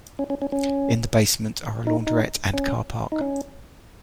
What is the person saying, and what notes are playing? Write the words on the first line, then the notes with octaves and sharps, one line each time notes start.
In the basement are a launderette and car park.
C#4
C#4
C#4
C#4
D#4
D#4
C#4
D#4
C#4